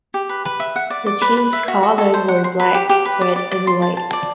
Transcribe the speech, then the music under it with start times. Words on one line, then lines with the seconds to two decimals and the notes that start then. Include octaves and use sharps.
The team's colors were black, red and white.
0.14 G4
0.29 B4
0.45 B4
0.60 E5
0.76 F#5
0.90 D5
1.06 D5
1.22 B4
1.37 B4
1.53 E5
1.68 F#4
1.83 F#4
1.98 A4
2.14 C5
2.28 F#5
2.44 C6
2.60 B4
2.75 G4
2.89 G4
3.05 B4
3.21 D5
3.36 D5
3.51 D5
3.67 C6
3.82 A5
3.97 A5
4.13 D5